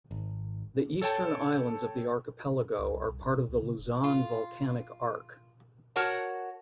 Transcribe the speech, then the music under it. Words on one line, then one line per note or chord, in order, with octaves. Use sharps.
The eastern islands of the archipelago are part of the Luzon Volcanic Arc.
G#1
A4 C#5 G5 A5
C#2
C2
C2
G#1
B2
C#2
C#3
E1
F4
F#4 A#4 C#5 F#5 A5